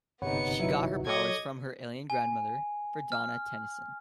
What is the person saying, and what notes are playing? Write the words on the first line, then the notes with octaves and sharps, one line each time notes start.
She got her powers from her alien grandmother, Verdona Tennyson.
G1 C3 B3 D#4 C#5 F#5 B5 C#7
F#3 E4 B4 E5
A4 C#5 D#5 D6 G#6 C#7
G#5
F6